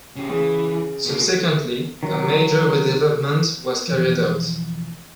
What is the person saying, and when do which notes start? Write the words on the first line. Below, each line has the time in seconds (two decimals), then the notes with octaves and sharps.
Subsequently a major redevelopment was carried out.
0.16 C#3 G4
0.29 C#3 E3
1.06 B2 A#3
2.03 D#3 F#3
3.88 F2 B2 E3 F3